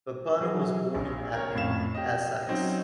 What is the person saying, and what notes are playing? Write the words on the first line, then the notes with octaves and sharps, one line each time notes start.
Pappano was born in Epping, Essex.
E3 F#3 G#4
A#1
A#4 C#5
F2 A2 C#4 F5 E7
G4 D#5
F#3 C4 C#4 D#4 D#5